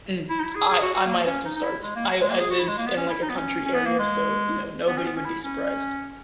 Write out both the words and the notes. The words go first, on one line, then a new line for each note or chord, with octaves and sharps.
Mm. I I might have to start. I I live in, like, a country area, so, you know, nobody would be surprised.
E4
D#4
E4
G#4
G#4
F#4
F#4
A#3
C#4
D#4
D#4
E4
G#3
A#3
G#3
A#3
G#4
F#4
E4
G#3
A#3
B3
C#4
E4
D#4
B3
C#4
C#4
B3
A#3
G#3
B3
C#4
B3
C#4
E4
C#4